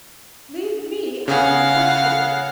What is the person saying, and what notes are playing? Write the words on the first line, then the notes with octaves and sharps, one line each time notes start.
Leave me out of the question.
C#3 G#4 F5 F#5